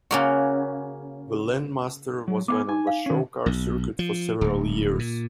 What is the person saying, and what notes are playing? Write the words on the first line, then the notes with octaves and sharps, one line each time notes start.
The Landmaster was then on the show car circuit for several years.
C#3 A#3 F#4
F#3
B3 F5 G#5 D6
D#4 G#5
F5
D#3 C#4
B1
F3
D1
A#2